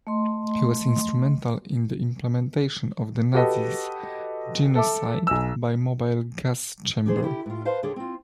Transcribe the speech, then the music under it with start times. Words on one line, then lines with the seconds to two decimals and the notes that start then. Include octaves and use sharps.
He was instrumental in the implementation of the Nazis' genocide by mobile gas chamber.
0.07 A3 D#5 C6
3.34 F#4 G4 A4 B4 D#5
4.75 A4 E5 D6
5.27 B1 G#5 E6
7.06 D4 D#4 G#4 C5
7.22 D3 E4 G4
7.46 A2 F4
7.65 B4 C5 F5 A5
7.83 D#2 D3 G#4 C#5
7.96 C4 F4